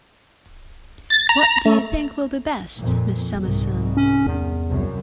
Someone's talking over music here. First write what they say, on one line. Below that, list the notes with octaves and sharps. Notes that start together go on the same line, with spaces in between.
What do you think will be best, Miss Summerson?
A6
A#5
A3
F2 A#2
C2 G#2
C#4
E2
C2 F#2